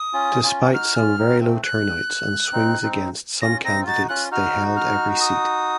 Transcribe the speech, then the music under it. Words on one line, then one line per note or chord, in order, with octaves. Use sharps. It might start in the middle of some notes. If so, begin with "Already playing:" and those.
Despite some very low turnouts and swings against some candidates they held every seat.
Already playing: D#6
C#4 F4
C#4 F4
D#4 F#4 F6
C#4 F4
C4 D#4
A3 C4
F#6
C4 D#4
C4 D#4
C#4 F4 A#6
C4 D#4 A#6
F4
D#4 F#4 A6
C#4 F4 F#6
D#4 F#4 F6
F6
D#6